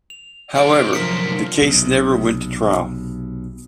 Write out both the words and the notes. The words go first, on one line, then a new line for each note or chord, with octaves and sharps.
However, the case never went to trial.
F7
F#2 C3 F6 C#7 D7
D3 F3 F#3 A#4 C5 B6 C#7
B1 C3